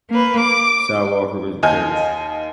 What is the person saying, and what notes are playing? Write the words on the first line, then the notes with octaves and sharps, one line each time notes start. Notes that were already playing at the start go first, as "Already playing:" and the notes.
Sal Walker was the coach.
A#3 B4
D6
D#2 D#5 G#5 F6 G6